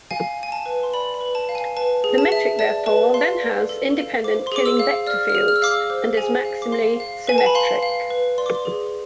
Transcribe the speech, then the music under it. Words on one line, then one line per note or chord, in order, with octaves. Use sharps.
The metric therefore then has independent Killing vector fields and is maximally symmetric.
F5 G#5
F5 G#5
A5
B4
C6
D5 B5
B5
B4
A5
F5
G#5
B4 A5
G#4
A5
E5
D5 A5
B4 A5
F5 C6
D5
A4
F5
C5 D6
C6
G#4 D6
E6
F5
D5 F6
F6
G#4
F6
E6
F5 D6
E6
C5 D6
G#4 G#5
F5
D6
F5 C6
F5
B4 G#5
A5
B5
F5 C6
F5
B4
D5 C6
D6
C6
G#4